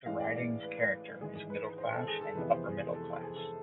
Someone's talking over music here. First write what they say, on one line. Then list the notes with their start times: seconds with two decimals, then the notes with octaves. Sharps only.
The riding's character is middle-class and upper-middle class.
0.06 A1 A2 E3 G#3 F5
0.20 D5
0.35 D5
0.63 B4
0.77 B4
1.21 G#1 G#2 E3 G#3 G#4
1.35 G#4
1.50 B4
1.78 C5
1.93 A4
2.07 G#4
2.21 A4
2.36 F2 C3 E3 G#3 B3 B4
2.51 C5
2.65 G#4
2.79 G#4
2.94 A4
3.23 G#4
3.36 A4